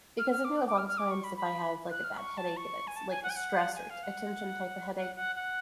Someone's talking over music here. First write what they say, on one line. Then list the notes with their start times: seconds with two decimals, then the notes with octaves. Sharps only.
Because I know a lotta times if I have, like, a bad headache, and it's, like, a stress or a t a tension type of headache,
0.19 F6
0.32 F6
0.45 D6
0.68 D6
0.78 F6
0.88 F6
0.98 D6
1.11 C#6
1.24 B5
1.37 B5
1.91 F#6
2.04 F6
2.17 C#6
2.37 A5
2.57 C#6
2.87 G#5
2.96 A5
3.10 G#5
3.24 F#5
3.30 G#5
3.36 F#5
3.76 G#5
3.90 F5
4.03 F#5
4.96 F#5
5.16 F#5
5.36 F#5